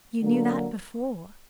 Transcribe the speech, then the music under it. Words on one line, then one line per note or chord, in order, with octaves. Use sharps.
"You knew that before."
D3 F#3 A#3